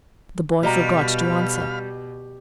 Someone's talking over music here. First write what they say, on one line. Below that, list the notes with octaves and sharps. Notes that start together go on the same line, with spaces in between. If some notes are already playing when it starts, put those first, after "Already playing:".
The boy forgot to answer.
B2 G3 F#4 D#5 F5 A#5 B5 F6